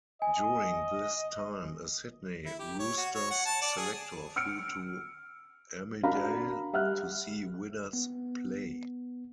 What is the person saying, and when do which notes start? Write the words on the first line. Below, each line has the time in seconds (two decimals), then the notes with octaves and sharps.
During this time a Sydney Roosters selector flew to Armidale to see Widders' play.
0.22 D#5 G#5
2.46 E4
2.59 G4
2.79 C#5
2.97 F#4
3.15 C#5
3.31 F#5
3.46 A5
3.62 D5
3.77 G#4
4.36 E6 F6 C#7 D7
6.03 D4 F#4 A#4 F5 A#5 B5
6.73 G3 G4 E5 F#5 F6 F#6
7.93 B3